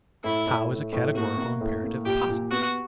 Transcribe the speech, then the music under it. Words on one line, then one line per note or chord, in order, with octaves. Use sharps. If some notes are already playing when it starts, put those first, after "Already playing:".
How is a Categorical Imperative Possible?
A2 E4
A2
A2
A2
A#3 F#4
A#3
A2
A#3
A#2 G4
A#2
B3 F#4